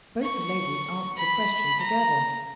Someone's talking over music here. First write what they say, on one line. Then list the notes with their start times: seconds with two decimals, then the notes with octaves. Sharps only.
Both the ladies answered the question together.
0.23 C#6
1.16 B5
1.79 A#5